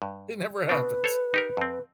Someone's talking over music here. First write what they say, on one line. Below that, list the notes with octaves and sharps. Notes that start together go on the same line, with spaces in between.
it never happens.
G2
B2 C4 D4 B4
A4 C5 C#5
D#4 G4 A#4
F2 C4